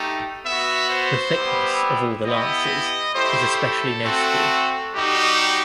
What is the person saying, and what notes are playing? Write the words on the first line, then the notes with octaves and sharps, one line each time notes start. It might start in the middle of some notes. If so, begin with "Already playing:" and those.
The thickness of all the lances is especially noticeable.
Already playing: A3 D#4 G4
B3 F#4 E5
C5
G3 B3 E4 G4
B3 E4 G4 D#5
A3 E4 G4 C5
A4
A3 C4 F#4
G3 D#4 F#4 G4